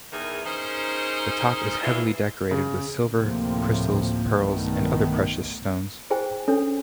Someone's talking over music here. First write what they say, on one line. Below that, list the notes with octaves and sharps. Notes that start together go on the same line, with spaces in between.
The top is heavily decorated with silver, crystals, pearls and other precious stones.
E2 D#3 E3 G#4 A#4
C#4 D#4 G#4 A#4 C5
E3 G#3 B3 D4 E4 F4
C#3
D2 A2 C3 F3 A#3 C4
B1 G2 D#3 A3 B3
E4 G#4 C5 G5 G#5
C#4 D4 A4 C#5 G#5